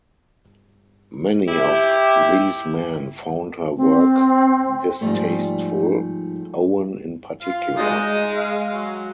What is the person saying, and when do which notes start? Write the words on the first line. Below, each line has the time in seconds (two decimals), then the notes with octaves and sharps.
Many of these men found her work distasteful, Owen in particular.
1.48 E4 G4
3.77 C4
5.01 G#2 D#3 F3 G3 A3
7.42 F4 F5
7.77 G#3 D#4 D#6
8.36 F5
8.72 F#3